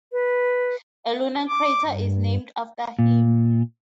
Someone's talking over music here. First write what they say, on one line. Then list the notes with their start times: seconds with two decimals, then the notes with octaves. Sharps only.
A lunar crater is named after him.
0.12 B4
1.48 D6
1.86 G2
2.99 A#2